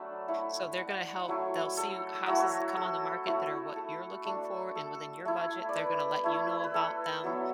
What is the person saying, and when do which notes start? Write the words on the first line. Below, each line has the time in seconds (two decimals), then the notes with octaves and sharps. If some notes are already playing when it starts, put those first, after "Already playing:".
so, they're gonna help they'll see you houses that come on the market that are what you're looking for and within your budget, they're gonna let you know about them,
Already playing: F#3 A3 D4 A5 B5
0.28 A3 E4
0.78 F#5
1.28 F#3 A3 E4
1.77 A4
2.26 F#3 A3 E4 F#4
2.76 A4
3.26 A3 E4 F#4
3.76 A4
4.25 A3 D4
4.75 A4
5.25 A3 E4
5.69 D5
5.74 B4
6.24 A3 E4
6.64 B4
6.74 A4
7.24 F#3 B3 E4